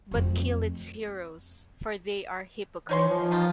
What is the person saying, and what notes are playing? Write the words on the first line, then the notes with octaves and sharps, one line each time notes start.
But kill its heroes for they are hypocrites.
F2 A3
E3 D#4 C#5 C6
F3
C3 D#4 F4